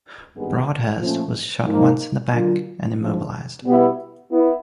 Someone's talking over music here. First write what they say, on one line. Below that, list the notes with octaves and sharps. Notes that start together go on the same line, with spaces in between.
Broadhurst was shot once in the back and immobilized.
G#1 G2 D#3 G#3 B3
A#2 F3 A3 C#4
G#2 F3 A#3 D#4
D3 F#3 A#3 D4 F4
A#1 G#2 F3 G#3
B2 G3 B3 E4
B3 E4